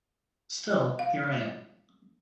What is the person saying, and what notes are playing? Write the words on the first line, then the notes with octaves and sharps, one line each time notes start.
Still, here I am.
F5